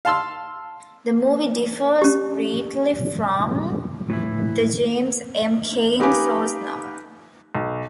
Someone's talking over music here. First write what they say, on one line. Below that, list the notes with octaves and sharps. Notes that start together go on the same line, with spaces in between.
The movie differs greatly from the James M. Cain source novel.
F5 A5 C6 E6
C#4 G4
A2 E3 E4
D#4 G4 B4 F5 G#5 D6
B1